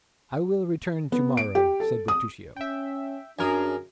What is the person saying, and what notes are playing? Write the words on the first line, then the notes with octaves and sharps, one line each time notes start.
"I will return to-morrow," said Bertuccio.
B3
D7
G4
A4
D#6
C#4 E5 G5
F#2 D4 G#4 A#4 G#5